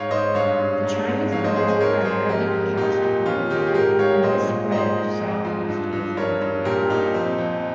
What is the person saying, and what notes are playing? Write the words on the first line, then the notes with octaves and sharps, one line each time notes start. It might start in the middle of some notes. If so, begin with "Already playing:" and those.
The Chinese produced primarily cast coinage, and this spread to South-East Asia and Japan.
Already playing: G#2 C#5 F5
G#2 C5 D#5
G2 C#5 F5
G2
G#2
G#2
F2 C#5 F5
C5 D#5
F2 G#4 C5
G#4 C5
G#2 A#4 C#5
C#5
G#2 G#4 C5
F2 G4 A#4
F2
A#2 D#4 G4
A#2
F2 C#4 F4
D#3 D#4 G4
G#4
G#2 G4 A#4
G#2 C#5 F5
A#2 C5 D#5
A#2
G#2 C5 D#5
G#2
F2
F3
G2
G2
G2 A#4 C#5
G2
A#2 G4 A#4
A#2 D#4 G4
F2 C4 D#4
F2